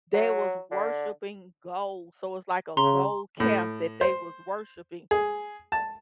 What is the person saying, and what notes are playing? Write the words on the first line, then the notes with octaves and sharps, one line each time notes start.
they was worshiping gold, so, it's like a gold calf that they was worshiping,
F#3
D3
C#3 A#5 C6
A2
C5
G#4
A5